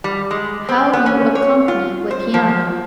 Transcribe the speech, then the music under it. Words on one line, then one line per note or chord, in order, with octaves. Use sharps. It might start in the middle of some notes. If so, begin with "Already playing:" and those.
"How you accompany with piano?"
G3
G#3
C4
B3
C#4
C#5
F4
C5
F3